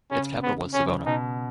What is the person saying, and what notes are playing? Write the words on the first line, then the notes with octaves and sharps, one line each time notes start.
Its capital was Savona.
C#3 C#4
B3
C#3 C#4
B2 D#4